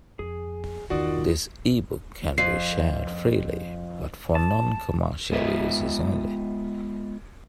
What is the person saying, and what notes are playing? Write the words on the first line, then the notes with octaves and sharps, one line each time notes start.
This e-book can be shared freely but for non-commercial uses only.
F2 G#4
E2 G2 D#3 F4 F#4 D5 D#6
F2 C7
A5
G#3 B3 F4 D#5 E5